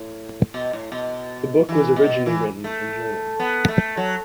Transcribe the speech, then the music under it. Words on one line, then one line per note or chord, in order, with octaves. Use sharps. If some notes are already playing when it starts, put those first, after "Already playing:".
The book was originally written in German.
Already playing: A2
B2
A2
B2
E3
B2
E3
A3
B3
A3
F#3